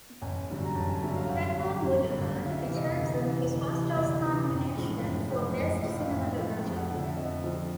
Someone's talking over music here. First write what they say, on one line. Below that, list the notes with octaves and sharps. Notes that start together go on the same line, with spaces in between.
"Platoon" would earn Richardson his first Oscar nomination for Best Cinematography.
A1 G#5
G2 D3 F#3
A#5
A1 A5
G#5
G2 D3 F#3 E5
F5
A1 F#5
G2 D3 F#3
A1
G2 D3 F#3
D2 F5
E5
C3 E3 F5
D#5
D2
C3 E3
D2
C3 E3
D#5
D2 D5
C3 E3
A1
A2 F3 G#3
A1
A2 F3 G#3
A1 D#5
E5
A2 F3 G#3
F5
A1 E5
A2 F3 G#3
F2
F#5
D3 F3 F#5
E5
F2 D#5
D3 F3